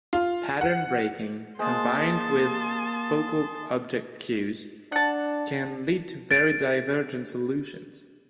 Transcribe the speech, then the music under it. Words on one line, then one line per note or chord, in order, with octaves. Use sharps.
Pattern-breaking, combined with focal object cues, can lead to very divergent solutions.
F4
F#5
G#3 A#3 C5 A5 C6 D#6
D4 F#5 A5
A6 D7